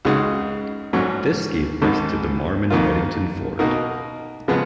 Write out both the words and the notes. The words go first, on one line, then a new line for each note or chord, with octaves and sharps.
This gave birth to the Marmon-Herrington Ford.
C#2 C#3 G#3 D#4 F#4
A#1 G#2 F#3 C#4
G#1 G#2 D#3
F2 D#3 A#3 F4
B2 A#3 D#4 F#4 A#4
C#3 F3 G#3 B3